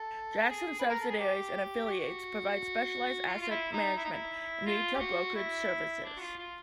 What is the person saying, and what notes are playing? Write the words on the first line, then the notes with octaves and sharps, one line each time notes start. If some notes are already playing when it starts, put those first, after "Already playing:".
Jackson subsidiaries and affiliates provide specialized asset management and retail brokerage services.
Already playing: A4
G#4
B4
A#4
A4
G#4
G4
G4
F#4
F4
F4
E4
D#4
E4
D#4
E4
F4
G4
F#4
E4
D4
F#4
F4
F4